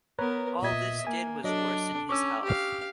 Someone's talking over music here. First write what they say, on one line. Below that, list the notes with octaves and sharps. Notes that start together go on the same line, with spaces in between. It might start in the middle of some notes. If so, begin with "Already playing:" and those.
All this did was worsen his health.
B3 A#4 B4 C#5 A#5
A#2 D#5 E5 G#6
A#3 G#5
F#3 D4 A4 D#5
C#4 C#6 D6 E6
G4 F5